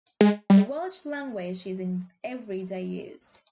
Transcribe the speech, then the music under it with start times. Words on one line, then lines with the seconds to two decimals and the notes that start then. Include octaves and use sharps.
The Welsh language is in every day use.
0.21 G#3
0.50 G3